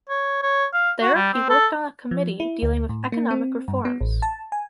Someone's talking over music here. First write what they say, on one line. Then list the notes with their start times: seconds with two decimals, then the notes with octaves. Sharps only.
There he worked on a committee dealing with economic reforms.
0.09 C#5
0.43 C#5
0.74 F5
1.02 F#4
1.15 G3
1.33 C4
1.49 A4
2.11 F3
2.40 E4
2.62 D2
2.89 A2
3.12 A#3
3.31 C4
3.68 G2
3.85 B3
4.01 A1
4.22 A5
4.52 G#5